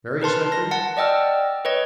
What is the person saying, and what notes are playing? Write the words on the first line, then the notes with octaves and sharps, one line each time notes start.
"Very slippery?"
A#4 B4 A5 C6
A#6
F#5 A5
D5 D#5 G5 E6 F6
B4 C#5 D#5